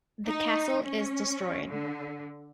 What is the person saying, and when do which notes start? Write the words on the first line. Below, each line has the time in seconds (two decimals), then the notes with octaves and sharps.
The castle is destroyed.
0.27 D#4
0.83 C#4
1.67 D3